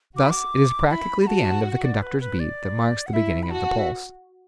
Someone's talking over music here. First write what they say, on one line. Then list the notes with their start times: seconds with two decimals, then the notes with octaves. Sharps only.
Thus it is practically the end of the conductor's beat that marks the beginning of the pulse.
0.16 F#4 D6
0.24 B5
0.30 D6
0.91 E4 B5
1.22 B5
1.27 F#4 A5
1.65 F#5
1.83 D5
2.02 B4
2.21 B4
2.40 D5
3.06 F#5
3.13 E4 E5
3.43 B5
3.51 F#4 A5
3.78 E5